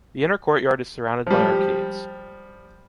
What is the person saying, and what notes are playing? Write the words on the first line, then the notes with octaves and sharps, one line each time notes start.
The inner courtyard is surrounded by arcades.
F3 G3